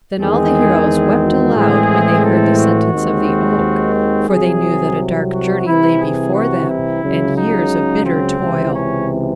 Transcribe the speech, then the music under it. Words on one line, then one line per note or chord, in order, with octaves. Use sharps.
Then all the heroes wept aloud when they heard the sentence of the oak; for they knew that a dark journey lay before them, and years of bitter toil.
E2 D#3 G#3 C4 G#4
F#4
A2 E3 G#3 C4 G#4
A4
F#4
D#2 D#3 G#3 C4
F#4
C2 C3 F#3 G#4
F#4
C2 C3 E3 E4
G#4
F#4
E4
C#2 C#3 F#3
D#4
C4
C#2 C3 E3
C#4